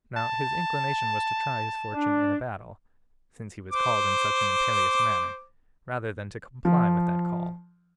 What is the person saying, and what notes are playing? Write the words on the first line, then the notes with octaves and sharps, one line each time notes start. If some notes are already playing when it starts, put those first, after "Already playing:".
Now his inclination was to try his fortune in a battle, since he was called in such an imperious manner, rather than to comply with that call.
A5
D4
C5 D6
F3